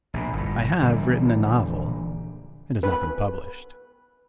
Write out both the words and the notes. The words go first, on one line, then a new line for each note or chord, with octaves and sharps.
I have written a novel, it has not been published.
A#1 B2
G1 A2
A#1 D3 E3 G3
B4